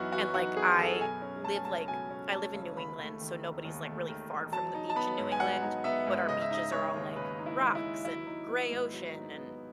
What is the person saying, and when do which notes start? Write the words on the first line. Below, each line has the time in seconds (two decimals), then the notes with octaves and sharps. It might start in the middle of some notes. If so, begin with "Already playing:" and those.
and, like, I live, like I live in New England, so nobody's, like, really far from the beach in New England, but our beaches are all, like, rocks and gray ocean and,
Already playing: F#2 E3 B3 D#4 E4 F#4
0.12 E3 F#4
0.34 D#4 F#4
0.56 B3 G#4
0.78 F#2 A4
1.00 B2 G#5
1.22 C#4
1.44 A3 A5
1.55 G#5
1.65 C#2 A5
1.88 B2 G#5
2.11 C#4
2.32 A3 A5
2.54 C#2
2.76 D#2 B5
2.99 A3
3.20 D#3
3.42 E1
3.64 D#2
3.87 A3
4.08 D#3
4.31 E1
4.52 F#3 A5
4.75 D#4
4.90 A5
4.96 B3 B5
5.18 G#2
5.32 G#5
5.40 F#3 F#5
5.63 D#4
5.84 B3 E5
6.07 G#2
6.29 C#3 D#5
6.41 E5
6.51 D#4 D#5
6.72 G#3 C#5
6.94 D#2
7.16 C#3 B4
7.39 D#4
7.46 E4
7.60 G#3
7.75 E4
7.82 D#2
8.04 F#3 E4
8.27 D#4
8.49 B3
8.71 G#2
8.92 F#3
9.14 D#4
9.37 B3